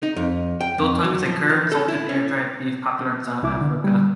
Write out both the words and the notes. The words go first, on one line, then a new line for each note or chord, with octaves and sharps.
Biltong is a cured, salted, air dried beef popular in South Africa.
D#4
F2
G5
F2
F#3
F3
E3
A4
E4
C#4
C2 E4 D6
D3
G3